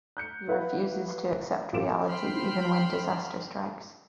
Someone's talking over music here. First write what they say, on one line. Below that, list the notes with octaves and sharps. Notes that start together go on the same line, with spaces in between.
He refuses to accept reality even when disaster strikes.
F#6 G6 C#7
B3 E4 B4 F5 F#5 B5
A1 F4 G4 D6 D7 E7
C5 G5 B5 C6 F6